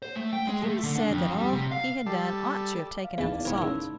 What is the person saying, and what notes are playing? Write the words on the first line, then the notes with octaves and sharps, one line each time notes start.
The chemist said that all he had done ought to have taken out the salt.
C5
A3
G5
G#3
A3
D3
D4
F2
G3
C3
F5
G3 A4
F5
E2 D#4 B4 A5
E4 D5
B3 C4 A#4 B5 C6 G#6
C#3 D#4 A#4 E6